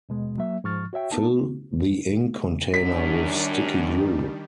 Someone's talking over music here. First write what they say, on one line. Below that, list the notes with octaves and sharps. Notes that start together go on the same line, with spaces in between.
Fill the ink container with sticky glue.
D#2 B2 G#3
F#3 A#3 E5
G#2 F3 C#6 F6 A6
F#4 C#5 E5 G5
B3 D#4 A5
F#2 D#3 G3 D4 B6